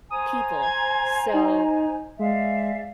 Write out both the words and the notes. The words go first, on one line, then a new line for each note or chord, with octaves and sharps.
people. So,
C5 G#5 A#5 D#6
G#6
D#4
G#3 D5 E5 F5